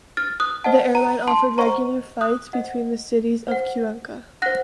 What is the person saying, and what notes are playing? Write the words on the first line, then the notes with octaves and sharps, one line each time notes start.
The airline offered regular flights between the cities of Cuenca.
F6 A6
D#6 F#6
C5 D#5 F#5 A5
A#5
A5 C6
C5 D#5 F#5 A#5 C#6
D#6 F#6
C5 D#5 F#5
C5 F#5
C5 F#5 F#6 A#6